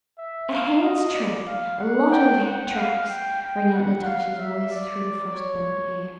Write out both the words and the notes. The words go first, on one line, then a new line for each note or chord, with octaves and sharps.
"A hare's track, a lot of tracks!" rang out Natasha's voice through the frost-bound air.
E5
F5
D#5
D5
F5
F#5
G5
F#5
F5
G5
G5
F#5
F5
E5
D5
C#5